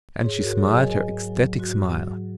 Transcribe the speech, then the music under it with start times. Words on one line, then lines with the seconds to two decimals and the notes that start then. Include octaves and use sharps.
And she smiled her ecstatic smile.
0.24 G#2 G#4 C#5
0.41 F#4 A#4
0.58 F#3 G#4 C#5
0.75 D#5 G#5
0.92 G#2 D#5 G#5
1.26 F#3
1.59 G#2 F#4
1.93 F#3